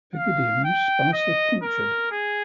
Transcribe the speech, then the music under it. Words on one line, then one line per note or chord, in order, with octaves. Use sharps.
Pygidium sparsely punctured.
F5
G5
D#5
A#4
G#4